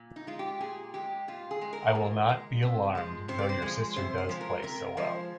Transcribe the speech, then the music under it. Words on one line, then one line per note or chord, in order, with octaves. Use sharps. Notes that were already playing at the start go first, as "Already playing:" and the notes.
I will not be alarmed though your sister does play so well.
Already playing: A#2
D#4
G#3 F4
G4
A#2 G#4
G#3 G4
A#2 F4
G#4
G#3
A#4
A#2
G#3
C3
F3 G#3
C3 C5
D5
C5
F3 G#3
C3 C5
C5
F3 G#3
A#4
C3 A#4
F3 G#3 C5